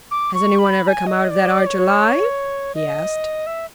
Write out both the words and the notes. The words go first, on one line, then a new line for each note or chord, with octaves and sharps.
"Has anyone ever come out of that Arch alive?" he asked.
D6
C#6
B5
B5
G#5
D#5
D5
C#5
D#5
E5